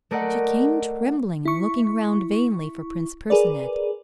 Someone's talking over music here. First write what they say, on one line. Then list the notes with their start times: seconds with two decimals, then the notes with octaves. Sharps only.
She came trembling and looking round vainly for Prince Percinet.
0.11 A3 A4 A#4 D5 D#5 F#5
1.45 E4 C#6
3.30 G#4 A#4 B4 D5